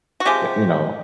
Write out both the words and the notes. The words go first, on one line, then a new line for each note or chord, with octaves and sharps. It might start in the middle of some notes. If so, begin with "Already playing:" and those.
eh, you know?
F#4
C3 F3 G#3 G4